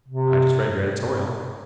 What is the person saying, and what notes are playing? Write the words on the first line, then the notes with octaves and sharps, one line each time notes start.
"I just read your editorial."
C3